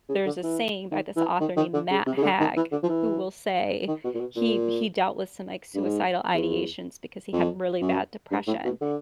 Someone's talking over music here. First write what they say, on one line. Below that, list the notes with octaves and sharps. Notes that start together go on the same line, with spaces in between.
there's a saying by this author named Matt Hag, who will say he he dealt with some, like, suicidal ideations because he had really bad depression,
C#3
D3
E3
D#3
E3
D#3
D#3
D3
C#3
C3
C#3
D3
D#3
E3
D3
F3
E3
D#3
B2
A#2
B2
A#2
G2
G#2
E2
F2
F#2
G2
A2
B2
D3